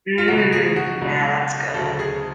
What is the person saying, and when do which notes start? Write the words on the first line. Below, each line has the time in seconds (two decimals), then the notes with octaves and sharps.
Mm. Yeah, that's good.
0.18 F4
0.27 C#2 B2 F#3 F#4
0.52 G#4
0.76 F#4
1.01 C#2 B2 F#3
1.74 D2 C#3 F#3 A4
1.99 G#4